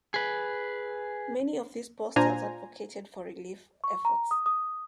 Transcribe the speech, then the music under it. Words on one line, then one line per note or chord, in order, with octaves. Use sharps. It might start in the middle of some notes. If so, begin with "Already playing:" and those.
Many of these posters advocated for relief efforts.
G#4 B4
A#2 D4 F4 C5 G#5 A#5
C#6
A#5
D#6
D#6